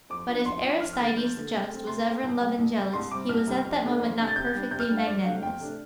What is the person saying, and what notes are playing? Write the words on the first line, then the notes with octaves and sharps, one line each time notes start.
But if Aristides the Just was ever in love and jealous, he was at that moment not perfectly magnanimous.
F2 D6
F3 D4
F2 C6
F3 D4
F2 F6
F6
D3 A3 A6
F2 G6
D3 A3
C3
A3 C4
C3 C6
A3 C4
C2
C3 G3
C2
C3 G3
C2 C6
C3 G3 C4 D6
C2 F6
C3 G3 C4
F2
C3 A3 D4
F2
C3 A3 D4
A6
C3 G6
G3 D4
C3 G6
F6
G3 D4
F5
F2 D5
C3 A3 D4 F5
F2 G5
C3 A3 D4